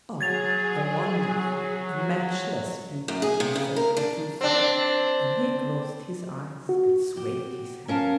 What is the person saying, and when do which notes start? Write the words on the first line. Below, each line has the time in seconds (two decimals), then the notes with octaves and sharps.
"Ah... a wonderful, a matchless people!" said Kutuzov; and he closed his eyes and swayed his head.
0.21 F#3 G#4 G#6 A6 F7
3.08 F#2
3.22 G#4
3.40 C3
3.56 C#3
3.76 A#4
3.97 D4
4.41 C4 D4
6.69 F#4
7.16 F#4 G4
7.88 C#4 A#4 F5 A5